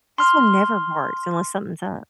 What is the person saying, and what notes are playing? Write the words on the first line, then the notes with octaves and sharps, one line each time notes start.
This one never barks unless something's up.
C6 F6